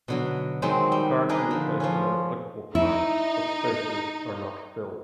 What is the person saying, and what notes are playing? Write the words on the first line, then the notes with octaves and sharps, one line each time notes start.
A card can be placed on an applicable card, but spaces are not filled.
B2 D3 F#3
D#3 F#3 G#3 C4
G3
D4 D#4 G#4 A#4 B4 D#5
D3 F3
F3 C#4
D#4 E4